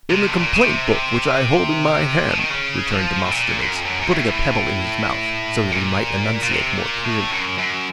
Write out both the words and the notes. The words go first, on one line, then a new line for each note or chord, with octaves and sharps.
"In the complaint-book, which I hold in my hand," returned Demosthenes, putting a pebble in his mouth so that he might enunciate more clearly.
C3
A2
A#2
C#3
C3
F3
D#3
C#3
F3
A2
A#2
F#2
F2
F#2
F#2
A2
A#2
A#2
C3
A#2
A2
F#2
F#2